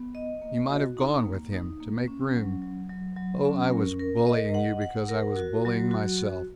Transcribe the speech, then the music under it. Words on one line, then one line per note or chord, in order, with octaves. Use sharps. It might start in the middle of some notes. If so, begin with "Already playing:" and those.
You might have gone with him, to make room---- Oh, I was bullying you because I was bullying myself!
Already playing: B3
D#5
A#3
F#4
D#4
A#3
D#4
A#3
C#4
F#3
F#3
F#3
F#3
C#4
A#4
A#4
D#5
F#5
F#5
A#4
F#4
F#3
F#4
F#4